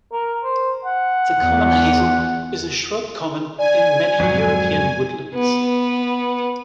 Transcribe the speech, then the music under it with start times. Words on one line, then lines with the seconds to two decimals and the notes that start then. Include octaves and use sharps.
The common hazel is a shrub common in many European woodlands.
0.13 A#4
0.43 C5
0.85 F#5
1.40 E2
3.59 D5 G#5
4.20 F2 G#2 F#3
5.35 B3